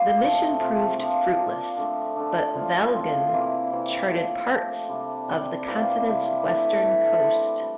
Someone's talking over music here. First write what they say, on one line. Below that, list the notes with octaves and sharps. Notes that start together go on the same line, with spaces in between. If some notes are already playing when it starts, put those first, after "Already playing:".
The mission proved fruitless, but Vlamingh charted parts of the continent's western coast.
Already playing: G3 A#3 F4
C3 F3 A3
C3 F3 A3
F3 A#3 D4 F4
F3 A#3 D4 F4
D3 A3 D4
D3 A3 D4
A2 F3 C4 F4
A2 F3 C4 F4
C3 E3 A#3 E4
C3 E3 A#3 E4
A2 F3 A#3
A2 F3 A#3
C3 G3 D4
C3 G3 D4
C3 E3 G3 A#3
C3 E3 G3 A#3
A2 E3 A3 D4
A2 E3 A3 D4
G3 C4 E4
G3